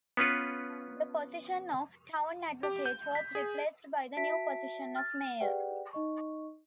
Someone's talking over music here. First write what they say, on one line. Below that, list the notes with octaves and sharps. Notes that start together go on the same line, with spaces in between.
The position of 'town advocate' was replaced by the new position of mayor.
B3 C#4 F4 B4
G4
G6
B6
G#4
F#4 E5 A5 B6 D7
F6 A6
G4 G#4 B4 D5 F#5 G5
D#4 D#5 C#6